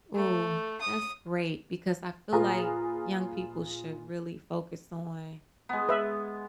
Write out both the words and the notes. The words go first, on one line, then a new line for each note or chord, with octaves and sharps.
Ooh, that's great because I feel like, young people should really focus on
A3
D#6
A#2 F4 G#4 B4 A#5 D#6
G#3 B3
B4 E5